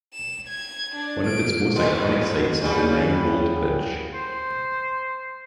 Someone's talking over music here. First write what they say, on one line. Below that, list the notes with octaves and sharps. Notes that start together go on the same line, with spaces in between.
One of its most iconic sites is the Nine-holed Bridge.
E7
G#6
D4
D7
E2 A3 B3
C#3 G3 B3
C5